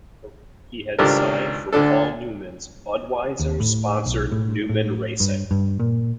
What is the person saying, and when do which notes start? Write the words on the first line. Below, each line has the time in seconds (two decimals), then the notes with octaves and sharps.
He had signed for Paul Newman's Budweiser sponsored Newman Racing.
0.99 G#1 C#2 D4 G4 A4 A#4
1.73 D2 D3 D4 A4
3.40 D#2
3.60 A2
4.06 B1
4.32 A2
4.69 A2
5.20 G2
5.51 G2
5.80 A#2